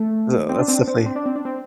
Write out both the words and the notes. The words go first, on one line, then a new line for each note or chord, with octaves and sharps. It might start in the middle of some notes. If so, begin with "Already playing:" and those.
Ugh, that's definitely
Already playing: A3
C4
D4
C4
D4
C4
D4
C4
D4
C4
D4
C4